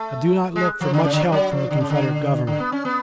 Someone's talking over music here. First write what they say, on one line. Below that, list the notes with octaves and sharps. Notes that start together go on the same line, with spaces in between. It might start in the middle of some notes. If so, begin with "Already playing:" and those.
I do not look for much help from the Confederate Government.
Already playing: A3
G#3
F3
D3
C#3
D3
F3
F#3
F3
D3
C#3
D3
D3
B3
C#4
B3